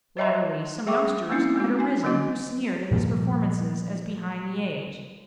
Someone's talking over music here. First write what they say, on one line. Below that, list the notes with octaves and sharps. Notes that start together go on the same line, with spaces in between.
Latterly some youngsters had arisen who sneered at his performances as behind the age.
C5 C#5 D#5 E5 A5 C6
G3 G#4 E5 G5 C#6 D6
A3 A#3 C4 C#4 D#4 E4
G#3 B3 C4 F#4
D#4 G#5
D3 F#3 A#3 C#4 F#4
A#2 F3 G3 A#3